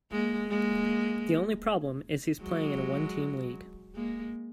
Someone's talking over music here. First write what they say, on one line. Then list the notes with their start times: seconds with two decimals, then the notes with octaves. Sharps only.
The only problem is he's playing in a one-team league.
0.11 G#3 A#3
0.49 G#3 A#3
2.41 F#3 G#3
3.95 G#3 A#3